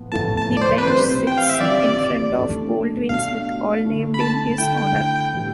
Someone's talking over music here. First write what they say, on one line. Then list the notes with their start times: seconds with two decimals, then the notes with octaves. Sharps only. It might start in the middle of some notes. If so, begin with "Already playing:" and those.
The bench sits in front of Goldwin Smith Hall, named in his honour.
Already playing: A2 F3 B3
0.12 A2 F3 B3 E4 A4 A5
0.37 A5
0.57 D5
0.62 C5
0.78 B4
0.87 E3 G3 C4 F4 C5
1.27 G5
1.38 F5
1.49 E5
1.60 E3 G3 C4 F4 D5
2.35 B2 A3 D4
3.09 B2 A3 D4 F5
3.84 D3 A3 E4
4.14 B5
4.20 A5
4.58 D3 A3 E4 G5
5.33 A2 E3 G3